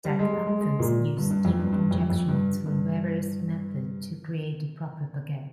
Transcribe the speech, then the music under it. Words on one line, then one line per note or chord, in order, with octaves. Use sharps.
Deck ovens use steam injection, through various methods, to create the proper baguette.
G3
G#3
G#3
G#3
G#3
A#2
G2
G2
F2
G2
G2
F2
F2
G2
G2